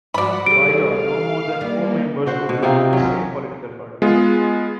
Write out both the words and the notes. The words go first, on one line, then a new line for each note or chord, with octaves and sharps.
By law, no more than four members could be from the same political party.
G#2 F3 F#4 D5 F#5 B5
G3 A3 G#4 D7
F5
G3 A#3 B3
F#4 C5 F#5
B2
C3 C4 D#4 F4
F#3 C#4
G#3 B3 F4